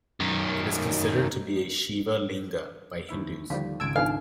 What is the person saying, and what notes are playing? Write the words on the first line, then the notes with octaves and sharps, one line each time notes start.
It is considered to be a Shiva Linga by Hindus.
F#2 D#3
D#2 E4 E5
D#2 D3 F3 G3 F5
G#1 C#2 A5 E6 G#6 D7
F3 B3 D4 D#4 A4 F5